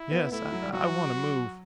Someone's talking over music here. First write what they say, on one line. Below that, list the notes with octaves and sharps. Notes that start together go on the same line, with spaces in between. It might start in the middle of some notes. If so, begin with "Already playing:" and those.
"Yes, I want to move."
Already playing: E4
B3
A3 E4
F#3
G3
F#3 F#4